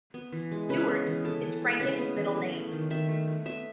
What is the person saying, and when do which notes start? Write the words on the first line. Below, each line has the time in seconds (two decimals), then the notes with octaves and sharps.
Stuart is Franken's middle name.
0.14 B3
0.32 E3
0.51 G#3
0.69 C#3 B4
0.88 B3
1.06 E3
1.25 B3 A4
1.43 E3
1.62 G#3
1.80 C#3 B4
1.98 B3
2.16 E3
2.35 A3
2.54 A3
2.72 D#3
2.90 D#3 E5
3.09 A3
3.27 A3
3.45 B3 E5